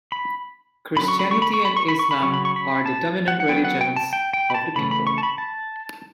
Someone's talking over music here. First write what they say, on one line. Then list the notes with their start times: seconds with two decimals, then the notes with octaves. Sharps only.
Christianity and Islam are the dominant religions of the people.
0.12 B5
0.96 D3 F#3 C#4 B5
1.08 C#6
1.19 B5
1.31 C#6
1.42 B5
1.54 C#6
1.65 B5
1.76 C#6
1.88 B5
1.99 C#6
2.11 B5
2.22 C#3 F#3 C#6
2.34 B5
2.45 C#6
2.56 B5
2.86 A5
3.28 F#5
3.40 F#5
3.49 F#3 B3 G5
3.64 F#5
3.81 G5
3.96 A5
4.13 G5
4.33 G5
4.50 B5
4.54 A5
4.75 C#3 E3 A3 C#4 B5
4.91 B5
5.07 C#6
5.18 A5
5.23 B5
5.38 A5